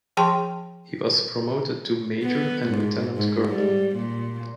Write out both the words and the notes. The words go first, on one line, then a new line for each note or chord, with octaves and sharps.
He was promoted to Major and Lieutenant Colonel.
F3 G#4 G5 A5 C6
B3
G#2
G#2
G3
A#2